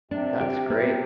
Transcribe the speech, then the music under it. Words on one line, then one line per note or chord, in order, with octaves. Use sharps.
That's great.
C3 D4
G4
B3